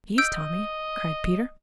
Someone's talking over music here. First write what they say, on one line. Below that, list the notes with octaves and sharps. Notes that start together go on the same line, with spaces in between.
"Please, Tommy," cried Peter.
D#5 E6 G6 D7